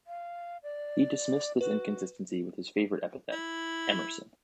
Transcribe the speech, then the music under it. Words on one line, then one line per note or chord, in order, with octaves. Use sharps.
He dismissed this inconsistency with his favorite epithet, Emerson!
F5
D5
F#4 B4
E4